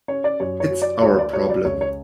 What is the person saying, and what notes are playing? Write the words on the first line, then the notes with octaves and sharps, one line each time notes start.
It's our problem.
C#4 C#5
D5
F#2 C#5
C#5
F#3
D5
D2 C#5
D5
F#3 C#5
D5
C#2 C#5
C#5